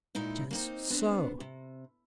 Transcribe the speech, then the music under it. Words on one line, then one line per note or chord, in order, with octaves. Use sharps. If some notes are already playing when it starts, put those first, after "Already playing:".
"Just so."
A#2 G#3 D#4 E4
A#3 C4 D#4
B3 C4 D4
C3